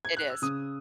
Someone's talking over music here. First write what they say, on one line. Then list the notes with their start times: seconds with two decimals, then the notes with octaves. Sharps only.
It is.
0.05 G#6
0.17 F#6
0.30 E6
0.42 C#3 D#6